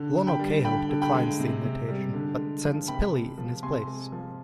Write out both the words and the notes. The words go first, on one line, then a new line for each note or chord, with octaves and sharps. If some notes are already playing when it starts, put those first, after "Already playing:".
Lonokaeho declines the invitation, but sends Pili in his place.
Already playing: D3
D3
G5 B5
G3
D3 G5 B5
D3
G5 B5
G#3
C3
C3
G3
D3
G#3
F3
C3 G5 B5
G#3
F3
C3 G#5 C6
G#3
F3